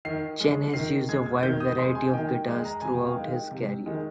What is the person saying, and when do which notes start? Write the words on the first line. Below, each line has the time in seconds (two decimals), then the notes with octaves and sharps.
Chan has used a wide variety of guitars throughout his career.
0.05 D#3 C7
0.40 G#3
0.74 D#3 C7
1.09 G#3 G#6
1.26 G#6
1.43 D#3 G6
1.60 D#6
1.78 G#3 C6
1.95 G#5
2.13 D#3 G5
2.48 G#3
2.65 A#5
2.81 C3 G#5
2.94 G5
3.06 F5
3.17 D#3 G#3 G5
3.51 C3
3.86 D#3 G#3